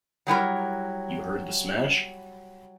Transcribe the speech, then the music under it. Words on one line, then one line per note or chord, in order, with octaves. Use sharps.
You heard the smash?
F#3 G3 E4 A#4